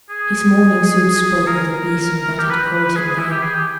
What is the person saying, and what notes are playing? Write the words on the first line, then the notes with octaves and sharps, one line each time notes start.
His mourning suit spoke of the reason that had called him there.
G#4
A#4
G4
B4
B4
B4
G#4
G#4
E4
G4
G#4
G4